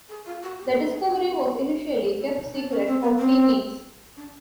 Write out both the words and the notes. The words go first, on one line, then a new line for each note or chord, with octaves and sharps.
The discovery was initially kept secret for three weeks.
G#4
F4
F#4
G4
A4
G#4
G#4
F#4
E4
D#4
D4
C#4
C4
B3
C4
D4